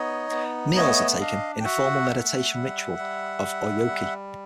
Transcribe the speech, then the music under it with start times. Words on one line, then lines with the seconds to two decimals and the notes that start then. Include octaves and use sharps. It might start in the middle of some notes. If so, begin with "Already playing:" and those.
Meals are taken in a formal meditation ritual of oryoki.
Already playing: B3 D#4 C#5 D#5
0.31 B3
0.76 A3 C#5 D#5
1.20 D4 D#5 F5
1.60 G5
1.64 F#4 E5 F#5
2.09 A3
2.53 G3
2.98 G3
3.43 G3
3.87 G3